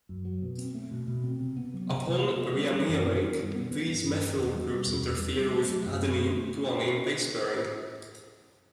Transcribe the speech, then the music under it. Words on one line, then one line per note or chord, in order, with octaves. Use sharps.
Upon re-annealing, these methyl groups interfere with adenine-guanine base-pairing.
F#2
F#3
B2
C4
A3
B2
B2
C4
C3
B3
F#3
C3
C3
B3
B3
G3
E3
F#2
B3
G3
G2
B3
E3
G2
G2
B3
E2
G3
B2
E2
E2
G3
C4
A3
F#3
F#2
C4
A3